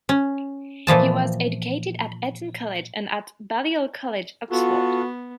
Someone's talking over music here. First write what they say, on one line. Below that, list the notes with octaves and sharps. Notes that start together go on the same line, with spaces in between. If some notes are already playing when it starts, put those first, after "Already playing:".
He was educated at Eton College and at Balliol College, Oxford.
C#4
A#2 E3 F3 A5
B3 F4 F#4 A4